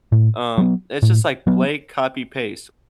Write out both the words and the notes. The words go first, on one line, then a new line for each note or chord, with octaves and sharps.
Um, it's just, like, blank, copy, paste,
A2
F#3 B3
A2
F#3 B3